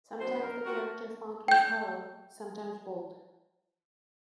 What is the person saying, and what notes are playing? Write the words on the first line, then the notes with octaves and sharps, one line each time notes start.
Sometimes the character font was hollow, sometimes bold.
F#2 B2 B3 D4 F#4 C5
A#4
C4 F4 F#4 A#4
G5 G6